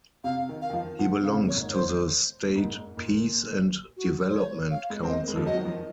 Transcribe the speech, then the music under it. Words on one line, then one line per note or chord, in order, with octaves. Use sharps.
He belongs to the State Peace and Development Council.
C3 F5
D#3
F5
D#3
F3
F3 F#5
C#3 F5
C3
A#2 C#5
G#2
C5
A#2
G#2
A#2
G#2
A#2
F#4
C5
C#5
F5
G#3
C4
A#3 D#5
G#3
F3
F#3 D#5
D#3
F3